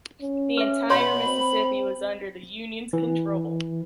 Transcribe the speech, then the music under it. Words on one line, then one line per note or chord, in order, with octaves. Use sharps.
The entire Mississippi was under the Union’s control.
C#4
B4 E5
B2 C#5 B5 C6
C4
E3